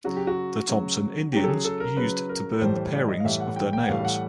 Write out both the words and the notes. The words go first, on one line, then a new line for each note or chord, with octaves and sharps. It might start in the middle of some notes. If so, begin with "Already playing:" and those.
The Thompson Indians used to burn the parings of their nails.
C#3 F#3 F#4
G4
F#4
C#3 F#3
C#3 F#3 G4
A4
G#4
A4
A#4
C#3 F#3 B4
A#4
A2 E3 G3 C5
C5
D5
D#5
F5
A2 E3 G3 E5
F#5
G5
G5
F#5
A2 E3 G3 F5
F#5